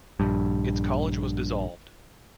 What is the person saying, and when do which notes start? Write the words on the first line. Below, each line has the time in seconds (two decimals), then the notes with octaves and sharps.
Its college was dissolved.
0.20 A#1 G2